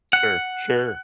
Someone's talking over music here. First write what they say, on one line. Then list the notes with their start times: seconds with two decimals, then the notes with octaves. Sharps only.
Sir sure.
0.13 F#5